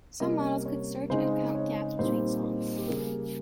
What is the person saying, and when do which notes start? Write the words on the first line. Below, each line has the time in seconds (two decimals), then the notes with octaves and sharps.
Some models could search and count gaps between songs.
0.20 C3 G3 A#3 C#4 D#5
0.66 C#5
1.10 C#3 G#3 C4 D#4 C5
1.55 C#5
1.99 A#2 G3 C4 D#4 C5
2.44 C5
2.77 G4
2.88 C#3 G3 A#3 G#4